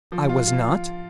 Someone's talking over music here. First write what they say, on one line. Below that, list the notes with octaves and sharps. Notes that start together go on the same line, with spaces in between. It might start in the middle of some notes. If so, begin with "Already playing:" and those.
I was not.
F3
F4
F4